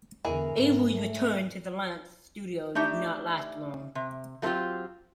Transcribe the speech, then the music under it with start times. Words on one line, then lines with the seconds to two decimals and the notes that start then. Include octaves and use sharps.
Avery's return to the Lantz studio did not last long.
0.25 E2 D3 E3 G#4 A#4
0.54 G#2
0.92 A3
2.75 A3 D4 D#4 G4 E5
3.95 C3
4.42 F#3 A3 C4 D#4 F4 G4